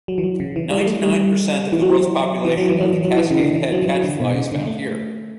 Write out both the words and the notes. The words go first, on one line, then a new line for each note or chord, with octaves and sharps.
Ninety-nine percent of the world's population of the Cascade Head catchfly is found here.
F#3
E3
F#3
C#3
E3
G3
G3
A3
G3
E3
F#3
E3
F#3
E3
F#3
E3
F#3
E3
C#3
D3
E3
F#3
E3
F#3
D3
B2
C#3
D3
A3